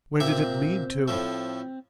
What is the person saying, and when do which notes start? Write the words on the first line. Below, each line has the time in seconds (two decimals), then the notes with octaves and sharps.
Where did it lead to?
0.20 A#2 C4 E5 D6
1.08 A2 F3 A3